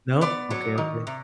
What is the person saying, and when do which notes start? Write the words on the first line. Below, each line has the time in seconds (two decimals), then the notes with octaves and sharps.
No? Okay, okay.
0.21 B3 D5
0.50 F#3
0.78 D#3
1.07 C3